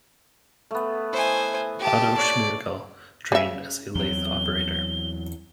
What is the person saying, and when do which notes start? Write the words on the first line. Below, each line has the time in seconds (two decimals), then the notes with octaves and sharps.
Otto Schmirgal trained as a lathe operator.
0.71 A3 B3
1.13 E4 C5 D#5 G#5
1.79 G4 A5
2.18 C#5 D5
3.32 C#3 E5
3.95 E2 F#3 C4 G7